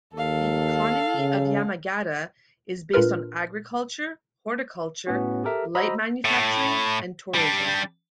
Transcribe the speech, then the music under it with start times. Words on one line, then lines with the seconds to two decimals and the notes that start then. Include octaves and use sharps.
The economy of Yamagata is based on agriculture, horticulture, light manufacturing and tourism.
0.14 D#2 A4 F5
1.17 C#3
2.93 A#2 D4 F4 A#4 B4 F6
5.07 A2 B3 C#4 F#4
5.44 G4 A4 A#4 E5
5.75 F#4 C5 D#5 A#5 B5 E6
6.25 A2
7.34 G3 D4